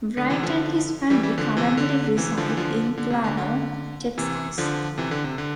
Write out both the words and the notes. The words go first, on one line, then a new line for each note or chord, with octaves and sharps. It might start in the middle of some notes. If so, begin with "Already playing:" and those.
Wright and his family currently reside in Plano, Texas.
D3
C3 E3
D3 F3
E3 G3
E3 G3
D3 F3
C3 E3
D3
C3 E3
D3 F3
E3
D3 F3
D3
C3
D3
D3
C3 E3
D3 F3
C3 E3
D3
C3
D3